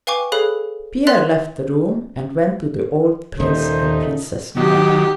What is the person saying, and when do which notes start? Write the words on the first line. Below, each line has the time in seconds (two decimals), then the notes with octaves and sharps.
Pierre left the room and went to the old prince and Princess Mary.
0.07 B4 F5 G5 G#5 C#6 D6
0.32 G#4 A4 C#5 F5 B5 F#6
1.07 A#4 E5 C6 F#6 A6 F7
3.40 D#1 A#2 D#3 A3 D#4 C5
4.57 D#3 F#3 G4